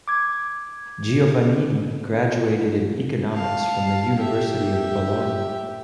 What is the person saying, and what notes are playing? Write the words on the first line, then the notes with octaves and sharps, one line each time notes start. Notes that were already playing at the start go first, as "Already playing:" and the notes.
Giovannini graduated in Economics from the University of Bologna.
D6 G#6
F5 A5
G4 E5